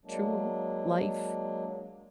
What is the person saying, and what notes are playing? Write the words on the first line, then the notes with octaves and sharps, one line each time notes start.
true life,
F#3 G#3 A#3 D4